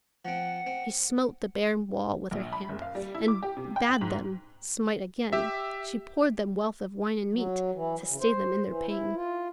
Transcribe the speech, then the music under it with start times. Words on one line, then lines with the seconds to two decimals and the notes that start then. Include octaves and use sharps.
She smote the bare wall with her hand And bad them smite again; She poured them wealth of wine and meat To stay them in their pain.
0.25 F3 C4 F#5
0.67 C4
2.31 A#1
2.53 B5
2.69 F#1
2.82 F5
2.95 G3
3.15 E4
3.28 D6
3.43 G4
3.57 C3
3.76 G5
3.89 F#7
4.01 G#2
5.33 G4 E5
7.33 F#3
7.74 E3
8.09 C#3
8.21 C5
8.66 E3
8.86 E4
9.15 F4